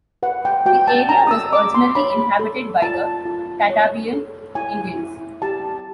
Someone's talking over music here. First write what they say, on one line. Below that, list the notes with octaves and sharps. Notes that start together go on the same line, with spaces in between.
The area was originally inhabited by the Tataviam Indians.
B4 F#5
G5
F#4 G5
A5
C#4 A#5
D#6
E6
C#4 D6
C6
C#5 B5
A4
F4 A5
F4
C#5
A4
E4 G#5
E4
G4 A5